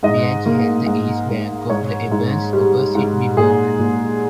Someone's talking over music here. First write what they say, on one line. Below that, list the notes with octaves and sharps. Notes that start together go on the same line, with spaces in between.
Bianchi held the east bank of the Abens opposite Biburg.
G#2 D#5
A#3
G#2
G#2
G#2 C#5
G#2
G3
G#2
A#2 G#4
A#2